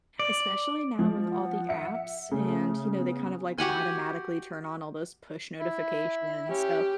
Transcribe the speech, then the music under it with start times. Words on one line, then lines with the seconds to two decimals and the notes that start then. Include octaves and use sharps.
Especially now with all the apps and, you know, they kind of like automatically turn on all those push notifications, so
0.19 D5
0.99 F3 G#3
1.31 F#5
1.69 E5 C#7
2.32 C#3 A3
2.98 B3
3.58 F#4 G4 F#5 G#5
5.60 E4
6.50 C#4 G4